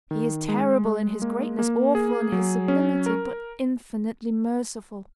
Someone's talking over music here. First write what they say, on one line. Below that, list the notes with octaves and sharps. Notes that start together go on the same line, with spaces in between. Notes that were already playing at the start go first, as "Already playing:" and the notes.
He is terrible in His greatness, awful in His sublimity, but infinitely merciful.
D#3
G#3
G#3
A#3
A#3
G#4
F#3
C#4
A#4